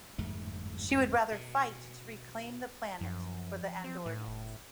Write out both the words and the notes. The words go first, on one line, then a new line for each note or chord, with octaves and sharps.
She would rather fight to reclaim the planet for the Andorians.
G1 F2 G#2 A3
B2
F#2 F3
C4
A2
F1